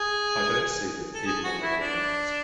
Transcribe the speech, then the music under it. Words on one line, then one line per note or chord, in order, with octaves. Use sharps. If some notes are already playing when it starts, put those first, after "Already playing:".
I dont see them even on the mainroads.
Already playing: G#4
A4
G#4
F#4
E4
D4